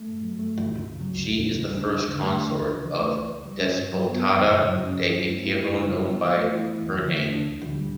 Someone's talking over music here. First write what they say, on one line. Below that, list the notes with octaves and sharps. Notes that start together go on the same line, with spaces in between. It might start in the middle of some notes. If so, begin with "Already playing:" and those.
She is the first consort of Despotado de Epiro known by her name.
Already playing: A3
G2
F#3
A3
G2
C#2
C#3
F#3
C#2
E2
C#3
G3
D4
E2
D3
A3
D4
C#2
C#3
E3
A3
C#2
C#3
G3
C#4
G2
F#3
B3
G2
F#2
C#3
F#3
C#4
G2
F#3
A3
E4
F#2
C#3
G3
B3
E3
A3
E4
E3
E2
D3
A3
D4
D2
D3
G3